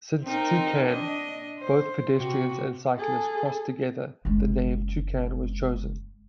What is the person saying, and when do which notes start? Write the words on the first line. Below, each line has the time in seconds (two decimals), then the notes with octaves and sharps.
Since "two-can", both pedestrians and cyclists, cross together, the name "toucan" was chosen.
0.24 C4 D#4 A#4
0.85 D4 D#5
1.59 C5
2.16 C3 F#4
2.98 G#4 A4
4.25 F#1 G#3